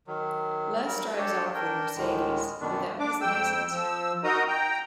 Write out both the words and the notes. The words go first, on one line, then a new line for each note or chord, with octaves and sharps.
Les drives off with Mercedes, without his license.
D#3 F#3
F#3 G3 A#4
D4 G4 A4 C#5
D4 A#4 G5
D2 A2 D3 D#3 G#3
F#2 B2 D#3 B3 D4
D4 D6
F2 G5 E6
F3 E6
D#4 F#4 A#4 D#5 A#5 D#6
G5 A#5